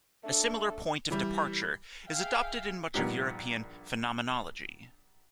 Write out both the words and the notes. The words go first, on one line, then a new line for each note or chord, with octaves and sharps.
A similar point of departure is adopted in much of European phenomenology.
A3 D4 A4
E3 G3
G#4 E5 F5 G5
A#1 G2 A#2 B3 D#4 G4